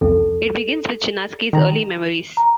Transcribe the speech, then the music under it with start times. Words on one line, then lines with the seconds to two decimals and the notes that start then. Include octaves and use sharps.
It begins with Chinaski's early memories.
0.01 C2 F2 A4
1.53 D#3 A#5
2.37 A#5